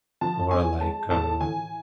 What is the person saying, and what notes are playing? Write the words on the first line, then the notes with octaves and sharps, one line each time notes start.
or, like, uh,
F3 A5
C#4 G#5
G#3 A5
A2 A5
E3 G#5